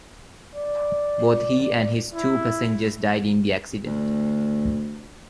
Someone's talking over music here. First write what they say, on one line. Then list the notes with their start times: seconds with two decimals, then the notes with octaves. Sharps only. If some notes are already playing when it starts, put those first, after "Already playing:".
Both he and his two passengers died in the accident.
0.55 D5
2.14 E4
3.86 D2